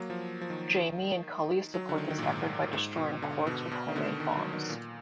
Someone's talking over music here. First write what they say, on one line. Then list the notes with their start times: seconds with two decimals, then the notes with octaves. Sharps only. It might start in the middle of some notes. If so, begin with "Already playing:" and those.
Jamie and Cully support this effort by destroying Quarks with homemade bombs.
Already playing: F#3 A#3
0.10 F3
0.41 F3
0.50 D#3
1.74 F#3
1.89 D3
1.98 D#3
2.10 D#3
2.18 A#2
2.23 G#2
2.73 G#2
2.97 B2
3.22 D3
3.47 B2
3.71 B2
3.88 D#3
3.96 D3
4.20 D#3
4.37 F#3
4.53 D#3
4.69 A#2